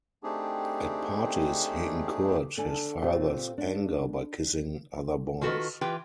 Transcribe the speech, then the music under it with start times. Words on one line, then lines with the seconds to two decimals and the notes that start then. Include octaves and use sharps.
At parties he incurred his fathers anger by kissing other boys.
0.23 A3 C4 D4 D#4 G4 G#4
2.57 D3 A4 G#5 A5
3.02 A#2 C4 F4 G4
3.58 D4
5.41 D#3 F4 F#4 A4 B4
5.81 E3 F4 G4 B4 G5